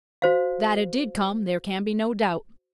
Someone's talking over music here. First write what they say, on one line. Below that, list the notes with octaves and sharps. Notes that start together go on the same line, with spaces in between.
That it did come there can be no doubt.
F#4 C5 F5